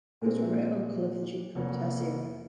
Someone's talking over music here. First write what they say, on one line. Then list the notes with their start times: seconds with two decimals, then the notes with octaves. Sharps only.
He was a remote uncle of the Duke of Terceira.
0.22 A#2 G#3 A#3 C4
1.55 F1 A#3 B3 C#5